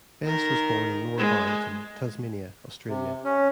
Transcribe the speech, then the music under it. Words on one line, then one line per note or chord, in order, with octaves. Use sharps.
Best was born in Lower Barrington, Tasmania, Australia.
D#3 A#4
G#3
C3
C#4